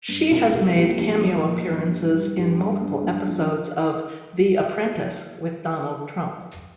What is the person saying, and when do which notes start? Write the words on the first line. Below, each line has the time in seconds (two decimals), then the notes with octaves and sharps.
She has made cameo appearances in multiple episodes of "The Apprentice" with Donald Trump.
0.09 G2
0.31 C2 F4
0.53 C2 G4
0.76 A#2 G4
0.99 F3 G4
1.21 F3
1.34 A#4
1.45 A#2
1.68 G2
1.91 G3
2.13 G3
2.36 G2 G4
2.58 G3
2.82 G2
3.04 G2
3.28 F3